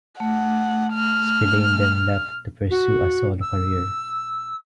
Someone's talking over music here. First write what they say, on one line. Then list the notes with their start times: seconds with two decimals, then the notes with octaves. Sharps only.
Spillane then left to pursue a solo career.
0.20 A3 F#5
0.93 F6
2.70 F#4
3.41 E6